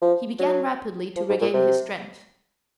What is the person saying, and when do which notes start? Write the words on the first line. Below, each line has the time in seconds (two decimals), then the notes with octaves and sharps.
He began rapidly to regain his strength.
0.02 F3
0.39 F#3
1.16 F3
1.29 G#2
1.41 A#2
1.53 C3